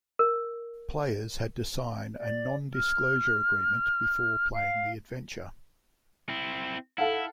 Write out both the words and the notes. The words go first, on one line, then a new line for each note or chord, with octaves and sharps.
Players had to sign a non-disclosure agreement before playing the adventure.
A#4
D5
F6
F5
C4 E4
E4 A4 F5 F#5